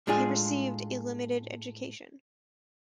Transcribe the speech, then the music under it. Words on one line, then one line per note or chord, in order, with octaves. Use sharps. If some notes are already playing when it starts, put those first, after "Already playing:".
He received a limited education.
A2 G#3 D4 F4 G#4